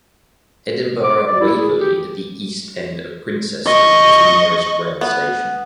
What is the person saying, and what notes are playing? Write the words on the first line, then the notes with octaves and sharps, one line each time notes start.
Edinburgh Waverley at the East end of Princes Street is the nearest rail station.
D6
D5
E4
G#4
G4
D#5 C#6
B3